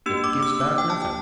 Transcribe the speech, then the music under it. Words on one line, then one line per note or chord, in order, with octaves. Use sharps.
It gives back nothing.
A#3 D4 G4 E6
D6
E6
D6
G5
A5
G5